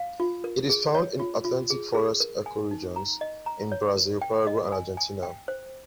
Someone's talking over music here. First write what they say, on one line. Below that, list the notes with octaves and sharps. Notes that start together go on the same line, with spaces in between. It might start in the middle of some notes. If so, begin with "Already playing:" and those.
It is found in Atlantic Forest ecoregions, in Brazil, Paraguay and Argentina.
Already playing: F5
F4
A#4
G#4
C#5
F4
F4
G#4
G#4
A#4
G#5
D#4
A#5
D#5
A#5
C#5
A#4
G5
D#5
G#5
G#5
G5
C5